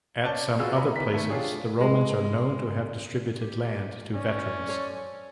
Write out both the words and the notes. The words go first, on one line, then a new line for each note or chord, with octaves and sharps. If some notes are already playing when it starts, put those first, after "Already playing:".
At some other places the Romans are known to have distributed land to veterans.
C#4 D5 A5 G6 G7
F4 F#4 G#4 B4 F5 E6
C#5 D#5 G#5 A#5 B5
D#3 B3 B6
A3 G#6
D4 F4 G4 G#4 C#5 D5
G#3
G4
C#4 D5
A4 C5 C#5